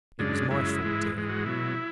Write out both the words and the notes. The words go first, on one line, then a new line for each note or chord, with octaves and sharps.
'It was my fault, dear.
F#2 C#3 G#3 D4
F#2 C#3 G#3 E4
G#2 E3 G#3
G#2 E3 G#3
F#4
B2 F#3 E4